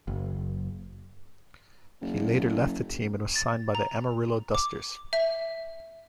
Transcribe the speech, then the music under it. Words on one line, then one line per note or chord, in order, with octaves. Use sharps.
He later left the team and was signed by the Amarillo Dusters.
F#1
F#1
A6
A#5
D6
E5